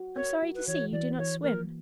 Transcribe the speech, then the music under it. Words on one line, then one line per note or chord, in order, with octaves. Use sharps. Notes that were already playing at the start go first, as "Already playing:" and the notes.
I'm sorry to see you do not swim.
Already playing: F#4
A#4 C#5
F#4
B4
E3 C#5
E3 D5
E3 C#5
A#3 A#4